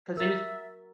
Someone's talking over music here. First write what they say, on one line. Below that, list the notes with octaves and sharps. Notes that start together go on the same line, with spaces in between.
'Cause he was
F#4 A#4 E5 E6 A6